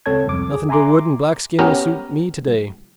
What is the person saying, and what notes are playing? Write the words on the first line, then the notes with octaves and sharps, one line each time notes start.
"Nothing but wood and black skin will suit me to-day!"
C#2 C4 A4 C#5 A5 G#6
C2 F2 D6
G#4
E5 G#5 A#5 C6 D6
B3 C#4 G4 A#4